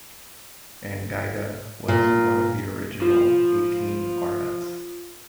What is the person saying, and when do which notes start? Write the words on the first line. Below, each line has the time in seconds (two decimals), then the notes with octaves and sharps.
Angida was one of the original Eighteen Arhats.
1.88 A#2
3.02 F3 F4